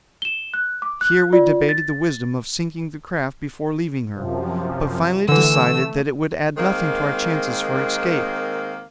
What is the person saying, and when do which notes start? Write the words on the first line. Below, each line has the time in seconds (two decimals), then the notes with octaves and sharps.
Here we debated the wisdom of sinking the craft before leaving her, but finally decided that it would add nothing to our chances for escape.
0.22 E7 G7
0.54 F#6
0.82 D6
1.01 F#6
1.33 F4 D5
1.69 A6
4.14 F#2 C3 F3
5.29 D3 E3 A3 E6
6.57 D#3 G#3 A#3 C4